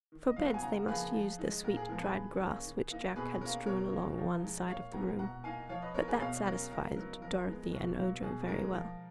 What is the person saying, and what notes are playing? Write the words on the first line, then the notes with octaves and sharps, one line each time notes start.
For beds they must use the sweet dried grasses which Jack had strewn along one side of the room, but that satisfied Dorothy and Ojo very well.
D#3
D#5
F#3 B3 F5
F#5
G#5
C#3 F#5 A#5
F3 A#3 G#4 B4
F3
G#3 D#4
A#2 A#4
G#4
F3 G#3 B3 A#4
G#4 B4
D#3
A#3 C#4
D#3
A#3 D#4
B2 G#4 B4
A#3 C#4 A#4
B2 A#4 C#5
A#3 C#4
F3
G#3 D#4
A#2 C#5 F5
G#3 B3 D#4 F#5 A#5
B2 F#5 A#5
A#3 D#4 F5 G#5
F3 C#5 F5
B4 D#5
B3 D#4 A#4 C#5
G#4 B4
B2 C#5 F5
F#3 C#4 A#4
C#3 A#4
F#3 B3 D#4 A#4
F3 A#4
G#3 B3 D#4
B2
F#3 A#3
B2 G#4
G#3 D#4 A#4
F3